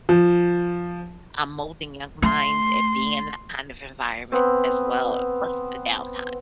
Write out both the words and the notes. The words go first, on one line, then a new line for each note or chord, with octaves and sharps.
um, molding young minds and being in that kind of environment as well plus the downtime.
F3
A3 C6
B3 C4